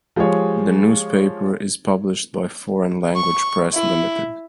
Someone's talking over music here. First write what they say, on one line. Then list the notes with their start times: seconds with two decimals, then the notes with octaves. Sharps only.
The newspaper is published by Foreign Language Press Ltd.
0.16 F3 G#3 G4 G#4 C#5
3.15 C#6
3.74 E4